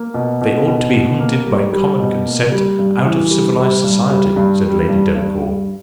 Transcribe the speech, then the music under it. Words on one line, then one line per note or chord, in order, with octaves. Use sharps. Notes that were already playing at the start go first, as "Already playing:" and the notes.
"They ought to be hunted by common consent out of civilized society," said Lady Delacour.
Already playing: A#3
B2
B2
B2
B2
A#3
G3
G3
B2
A#3
G3
G2
E3
G3
G3
G2
G3
G2
G3
G2
G2
G2